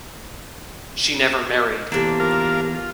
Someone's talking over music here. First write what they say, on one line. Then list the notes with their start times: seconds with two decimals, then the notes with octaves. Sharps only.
She never married.
1.92 E2 C3 A#3 D4 A4
2.20 F4 A#4 F5
2.74 F4